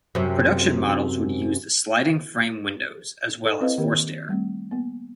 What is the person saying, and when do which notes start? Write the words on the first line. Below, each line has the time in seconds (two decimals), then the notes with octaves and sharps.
Production models would use the sliding frame windows as well as forced air.
0.15 F#2 C3
3.45 A4
3.61 C4 E4 B4 C5 D#5 F5
3.78 D#3 A#3 G4 A#4
4.29 G3 A3 C4
4.71 A#3 B3